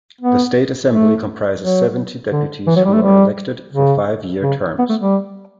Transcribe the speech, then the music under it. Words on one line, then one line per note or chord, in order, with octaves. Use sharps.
The State Assembly comprises seventy deputies who are elected for five-year terms.
B3
A3
F#3
D3
E3
F#3
G3
A3
G3
C#3
C#3
B3
A3
G3